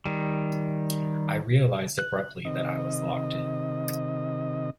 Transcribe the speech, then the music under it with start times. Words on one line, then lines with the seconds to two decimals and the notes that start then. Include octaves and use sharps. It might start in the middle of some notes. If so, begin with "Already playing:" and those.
I realised abruptly that I was locked in.
0.06 D#3 G3
1.99 F#6
2.45 C3 D#3 D#5